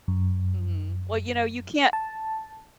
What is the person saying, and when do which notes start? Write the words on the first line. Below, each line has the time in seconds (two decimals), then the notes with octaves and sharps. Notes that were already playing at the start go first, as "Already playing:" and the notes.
Mhm, well, you know, you can't
0.08 F#2
1.93 A5